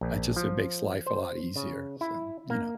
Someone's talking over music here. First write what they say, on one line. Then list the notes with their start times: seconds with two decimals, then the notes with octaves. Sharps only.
I just it makes life a lot easier, so, you know
0.01 A#1
0.36 F3
1.06 C5
1.56 C#3
2.01 E4
2.50 A#3